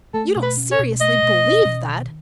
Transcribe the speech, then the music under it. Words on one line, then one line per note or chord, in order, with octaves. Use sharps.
"You don't seriously believe that?"
A3 A4
B2
B4
C#4
C#5
B2
A3 D#5
B2
C#4
B2
D#3